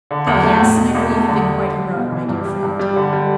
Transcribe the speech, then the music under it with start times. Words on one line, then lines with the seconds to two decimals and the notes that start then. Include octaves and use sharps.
"Oh! yes, I know you have been quite heroic, my dear friend."
0.11 D3
0.27 E2
0.44 A3
0.61 A2
0.77 B2
0.95 E2
1.12 A3
1.28 D3
1.45 G3
1.62 D3
1.79 G3
1.96 B2
2.12 E3
2.29 G2
2.45 G3
2.63 G2
2.79 G3
2.96 D3
3.13 G3